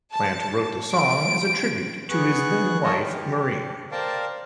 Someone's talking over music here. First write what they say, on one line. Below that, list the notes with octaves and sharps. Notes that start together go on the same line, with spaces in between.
Plant wrote the song as a tribute to his then-wife Maureen.
A5
D7
B3 G#4 C#6 F#6
A4 A#4 C#5 D#5 A5
G4
A#4 C5 D5 F5 G5 A5